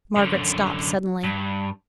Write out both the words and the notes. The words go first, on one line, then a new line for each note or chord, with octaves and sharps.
Margaret stopped suddenly.
F#2 D3
G2